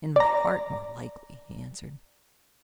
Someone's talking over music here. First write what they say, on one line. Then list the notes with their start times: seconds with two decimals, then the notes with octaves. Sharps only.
"In my heart, more likely," he answered.
0.16 D5 A#5